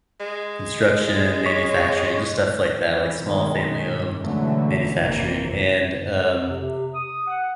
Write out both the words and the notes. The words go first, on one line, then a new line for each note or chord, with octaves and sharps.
construction, manufacturing, just stuff like that, like small family-owned manufacturing and, um,
G#3
C#5
E3
B2 D#3 F#3 G#3
G2
B2 D3 E3 F#3 G#3 A3
G#1 C3 E3 A#3
A4
C3
C3
D#6
F#5